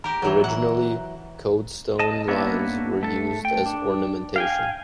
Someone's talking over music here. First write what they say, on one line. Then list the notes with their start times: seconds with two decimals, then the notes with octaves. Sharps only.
Originally, Coade-stone lions were used as ornamentation.
0.04 G4 A#4 A#5
0.22 E3 F#3
0.44 F#5
1.99 D#5 A5
2.28 A#3 B3 C#4 D4 E4
3.03 A3 A4
3.45 G5
3.66 D4
4.36 F5 G5 G#5